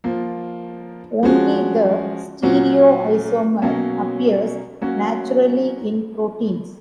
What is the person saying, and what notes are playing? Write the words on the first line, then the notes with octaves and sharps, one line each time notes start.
Only the -stereoisomer appears naturally in proteins.
F3 A#3 F4
F3 G#3 C#4 F#4
A#2 F#3 C#4 F#4
B2 F#3 A#3 C#4
F#3 A#3 C#4 F#4